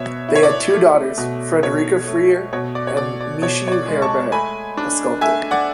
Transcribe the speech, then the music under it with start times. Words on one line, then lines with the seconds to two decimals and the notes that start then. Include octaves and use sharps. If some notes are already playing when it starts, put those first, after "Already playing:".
They had two daughters, Frederica Freer and Michie Herbert, a sculptor.
Already playing: B2 B3 C#5 E5
0.29 E4
0.36 C#5
0.43 D5
0.73 A3
1.18 B2
1.63 B2 C#5
2.08 A3
2.53 B2 C#5
2.75 D5
2.87 C#5
2.97 B2 D5
3.21 D5
3.42 B2 C#5
3.68 C#5
3.72 D5
3.88 G#3
4.02 A5 C#6
4.32 A3 G#5 B5
4.77 D4
5.21 A3 E5 G#5
5.51 D5 F#5